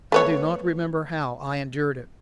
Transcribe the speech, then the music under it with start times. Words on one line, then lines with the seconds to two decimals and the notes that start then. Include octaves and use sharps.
I do not remember how I endured it.
0.12 A3 B3 C#5